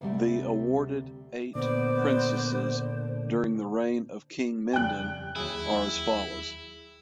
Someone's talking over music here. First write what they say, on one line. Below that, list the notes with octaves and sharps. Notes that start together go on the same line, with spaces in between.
The awarded eight princesses during the reign of King Mindon are as follows.
D2 C3 G3 A3
A#2 D3 B3 C5 D5
F2 C#3 G3 G5 F#6
D#2 F#3 E4 G#4